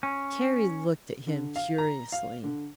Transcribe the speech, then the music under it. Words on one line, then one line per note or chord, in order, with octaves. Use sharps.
Carrie looked at him curiously.
C#4
D3
F5
A#5
F5
D3